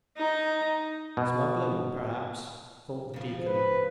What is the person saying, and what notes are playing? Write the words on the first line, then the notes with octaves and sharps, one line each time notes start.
"Smuggling, perhaps," thought the deacon.
D#4 A#5
B2
C#3 F3
B4